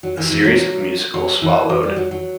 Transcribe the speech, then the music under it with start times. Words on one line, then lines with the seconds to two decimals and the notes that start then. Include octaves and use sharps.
A series of musicals followed.
0.03 F#3
0.17 E3
0.30 E3
0.44 F#3
1.14 F#3
1.42 E3
1.69 F#3
1.83 G3
1.96 F#3
2.11 F#3